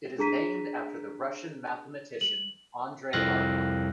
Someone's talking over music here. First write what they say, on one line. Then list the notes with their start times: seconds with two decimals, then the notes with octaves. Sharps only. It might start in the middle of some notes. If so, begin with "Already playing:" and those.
It is named after the Russian mathematician Andrey Markov.
0.18 D4 G#4 A#5 B6 D#7
2.21 F#7
3.13 C2 F2 C4 F5 F#6 A#6